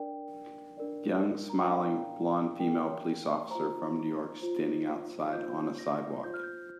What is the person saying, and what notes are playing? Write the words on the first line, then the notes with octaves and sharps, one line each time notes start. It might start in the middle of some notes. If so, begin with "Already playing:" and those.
Young, smiling, blond female police officer from New York standing outside on a sidewalk.
Already playing: D4 A#4 D5 G5
D4 A#4 D5
A#5
G5
D4 A#4 D5 F5
D4 A#4 D5 G5
F4 C5 A#5
F4 C5
F4 C5 G6
A#6
F4 C5 G6
F6
G6